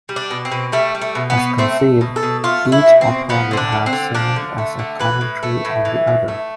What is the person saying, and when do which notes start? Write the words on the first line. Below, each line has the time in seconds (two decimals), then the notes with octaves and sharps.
As conceived, each opera would have served as a commentary on the other.
0.09 G3
0.16 D4
0.30 B2
0.45 C4
0.52 B2
0.72 G3 A3
0.95 G3
1.01 A3
1.15 B2
1.30 B3
1.38 B2
1.58 A3 C4
1.80 A3
2.01 B2
2.16 A4
2.23 B2
2.44 A3 F4
2.65 A3
2.72 E4
2.86 B2
3.01 C4
3.07 B2
3.29 F3 B3
3.51 D3 C4
3.57 D4
3.72 A3
3.86 C4
3.93 D3
4.15 F3 D4
4.36 D3
4.58 A3
4.79 D3
5.00 E3 B4
5.21 A2
5.43 A3
5.65 A2
5.85 E3
6.07 A2
6.28 A3